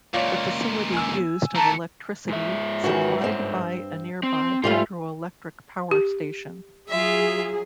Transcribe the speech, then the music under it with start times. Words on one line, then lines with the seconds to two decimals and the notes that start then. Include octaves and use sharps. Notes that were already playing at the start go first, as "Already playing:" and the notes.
The facility used of electricity, supplied by a nearby hydroelectric power station.
0.14 C#2 A#2 F4 C#5 D5
0.93 G#5 E6
1.56 E3 A3 A5 A#5
2.29 G#2 E5
2.84 D#3 E3 F#4
3.22 G2 C4
4.23 C4
4.64 G#2 G3 A3 F4
5.91 G4
6.89 F#3 F4 G#4 E5